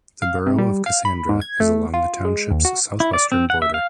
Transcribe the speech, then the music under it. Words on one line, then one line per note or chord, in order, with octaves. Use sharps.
The borough of Cassandra is along the township's southwestern border.
F5
C3
G3
F5
B5
G#2
G#6
A3
F4
G#3
D#2
F#4
E4
D5
C4
F#5
E5
F5